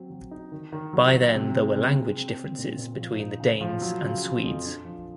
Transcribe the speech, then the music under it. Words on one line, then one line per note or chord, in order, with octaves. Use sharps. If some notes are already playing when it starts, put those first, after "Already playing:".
By then there were language differences between the Danes and Swedes.
Already playing: F#3 C4
F#3
D#4
D#3
D#3
F#3
F#3
C3
G#3
C3
C3
C4
C4
A#2
A#2
F3
D#4
C#3
F3
F#3
C#3
C#3
F2
D4
F3